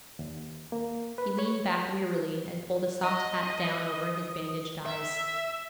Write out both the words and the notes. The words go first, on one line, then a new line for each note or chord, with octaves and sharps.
He leaned back wearily and pulled a soft hat down over his bandaged eyes.
D#2
A#3
B4
C#5
D#5
E5